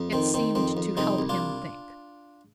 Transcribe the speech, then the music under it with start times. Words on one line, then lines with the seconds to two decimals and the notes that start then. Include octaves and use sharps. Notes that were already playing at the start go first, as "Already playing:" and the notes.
It seemed to help him think.
Already playing: F2
0.12 D#3 C4
0.34 D#3 C4
0.55 F2 C4
0.77 F2
0.97 C2 C4 D#4
1.19 C2
1.29 D4 F4